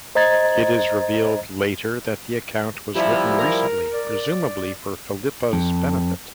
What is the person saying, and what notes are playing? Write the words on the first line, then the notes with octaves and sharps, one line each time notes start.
It is revealed later that the account was written recently, presumably for Phillipa's benefit.
C5 D#5 A#5 G#6 A6
F3 G3 E4 G4 E5
A#4
D5
F2